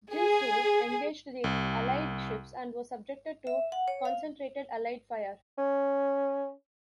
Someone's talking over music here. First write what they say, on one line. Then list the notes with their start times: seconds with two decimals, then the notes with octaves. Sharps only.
"Jintsu" engaged the Allied ships and was subjected to concentrated Allied fire.
0.13 G#4
1.44 C2
3.47 E5
3.72 F#5
3.88 C#5
4.05 F5
5.58 C#4